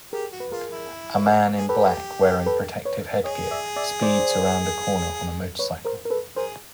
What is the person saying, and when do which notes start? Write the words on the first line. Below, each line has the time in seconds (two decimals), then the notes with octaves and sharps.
A man in black wearing protective headgear speeds around a corner on a motorcycle.
0.12 G4 G#4 A#4
0.32 F#4
0.40 B4
0.52 F4 G#4 A#4
0.71 E4
1.56 G#4
1.69 G4 A4 B4
2.46 A4 B4
2.85 B4 C#5
3.24 G#4 C#5 D#5
3.51 D5 E5
3.76 D5 E5
4.02 C5 D5
5.59 B4 C#5
5.85 A#4 C5
6.05 A#4
6.10 A4 B4
6.36 G#4 A#4 C5